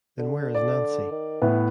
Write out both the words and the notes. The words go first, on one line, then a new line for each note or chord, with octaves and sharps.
Then where is Nancy?
D3
D5
D#3
A2 E3 B3